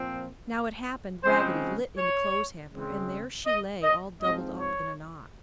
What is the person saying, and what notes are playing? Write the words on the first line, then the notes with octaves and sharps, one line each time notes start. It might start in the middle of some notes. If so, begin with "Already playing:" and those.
Now it happened Raggedy lit in the clothes hamper and there she lay all doubled up in a knot.
Already playing: A#2 F3 C4
C#3 F3 G#3 C4 C5
C#5
C#3 G#3 C4
D#5
D#5
G#2 F3 C4 D#5
C#5